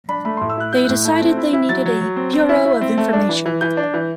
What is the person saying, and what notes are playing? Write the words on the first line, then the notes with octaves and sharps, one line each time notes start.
They decided they needed a "bureau of information".
D4 B5
A3 B5
A2 C6
E6
E4 F#6
E4 G6
A2 F#6
A3
C4
E4
E4
F#3 A6
F#3
F#3
C4
C4
E4
E4
C4
A3
D4
E3
E3
E3 G6
D4
E3